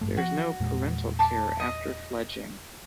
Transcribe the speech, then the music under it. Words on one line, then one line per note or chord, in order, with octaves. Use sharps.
There is no parental care after fledging.
A1 G2 A3
F3 F#4
E2 A#2 G#3
A5 D6
D#5